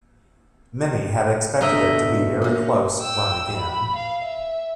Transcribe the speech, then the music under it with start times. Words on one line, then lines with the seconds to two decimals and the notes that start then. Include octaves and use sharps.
Many had expected it to be very close run again.
1.61 B2 D3 A3 D4 A#4 D#5 E5
2.42 A#3 C#4
2.98 G5 E6
3.55 B5
3.96 F5
4.24 E5